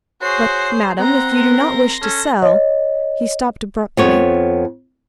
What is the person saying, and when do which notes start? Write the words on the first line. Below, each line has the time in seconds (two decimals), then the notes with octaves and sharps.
"But, madam, if you do not wish to sell--" He stopped abruptly.
0.22 F#4 G#4 C5 C#5 C7
0.99 C4 F#5 A#5 C6 A#6
1.35 A#4
2.02 C#4 A4
2.42 C#5 D#5
3.97 F2 B3 C#5